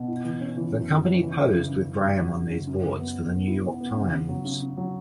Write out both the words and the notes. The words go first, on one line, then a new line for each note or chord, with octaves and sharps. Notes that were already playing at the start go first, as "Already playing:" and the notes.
The company posed with Graham on these boards for the New York Times.
Already playing: B2
E4
E3
C#4
E3
F#2
F#2
C#4
E3
F#2
C#3
F#2
F#2
F#2
F#3
F#2
C#3
F#2
F#2
B3
B3
B3
E4
B3
B3
C#3
C#3
F#3
C#3
C#3
F#3